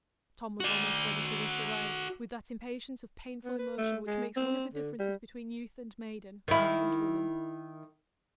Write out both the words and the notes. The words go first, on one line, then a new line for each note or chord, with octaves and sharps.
Tom was almost ready to rush away, with that impatience of painful emotion which makes one of the differences between youth and maiden, man and woman.
F#4 D5
B3
B4
A3
G#3
C4
D3
G3
D#3 E4